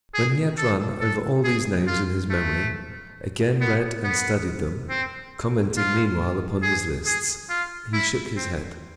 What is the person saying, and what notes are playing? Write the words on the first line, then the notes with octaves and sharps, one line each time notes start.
When he had run over all these names in his memory, again read and studied them, commenting meanwhile upon his lists, he shook his head.
G#4
A4
A4
G#4
F4
A3
B3
B3
C4
F4
G#4
G#4
F4
E4
C4